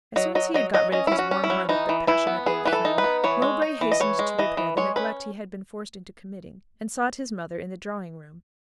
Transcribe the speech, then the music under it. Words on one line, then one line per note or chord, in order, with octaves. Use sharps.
As soon as he had got rid of his warm-hearted but passionate old friend, Mowbray hastened to repair the neglect he had been forced into committing, and sought his mother in the drawing-room.
F#3 D#5
F#3 D#5
F#3 D#5
F#3 D#5
C#4 D#5
C#4 E4
F#4
C#4
E4
F#3
E3 D#4
E3
E3 E4
B3
E3 G#4
E3 B4
A4
D#4
B4
B3
E3 C#5
G#3
D#4
E3
D#5
E3 C#5
G#3
E3 D#5
E3
G#3 C#5
C#4 B4